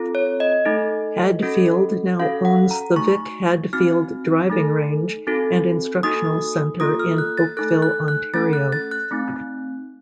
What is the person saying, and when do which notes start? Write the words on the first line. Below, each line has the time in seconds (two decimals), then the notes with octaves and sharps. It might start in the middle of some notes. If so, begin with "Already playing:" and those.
Hadfield now owns the Vic Hadfield Driving Range and instructional centre in Oakville, Ontario.
Already playing: C4 F4 A4
0.15 C#5
0.40 D#5
0.65 A3 D#4 A4
1.43 C#4 F#4 A4
2.19 C#4 F#4 A4 F5
2.45 F#5
2.71 A#5
2.96 A3 D#4 F#4 C#6
3.73 C4 D#4 F#4 F6
4.50 A3 D#4 A4
5.27 C4 D#4 F#4 A4
6.03 A#3 D#4 F#4 A4 D#6
6.80 A#3 F4 A4 D#6
7.00 F6
7.18 F#6
7.38 A6
7.57 A3 D#4 A4 F#6
7.82 F#6
8.08 F#6
8.34 A3 C#4 A4 A6
8.53 F#6
8.72 A6
8.91 F#6
9.11 A3 C4 D#4